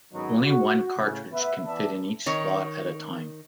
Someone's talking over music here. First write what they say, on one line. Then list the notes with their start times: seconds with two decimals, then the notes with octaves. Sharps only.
Only one cartridge can fit in each slot at a time.
0.13 G#2 D#3 F#3 B3 C#4 D#4
0.42 F#4
0.97 A2 C#3
1.32 B3 B4 E5
1.66 E3 B3 D5 E5 A5
2.26 D#3 C#5